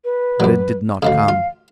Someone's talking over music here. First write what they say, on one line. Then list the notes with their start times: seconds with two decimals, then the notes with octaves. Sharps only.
But it did not come.
0.05 B4
0.40 F#2 F#3
1.02 D2 G#2 C#3 F5
1.28 F4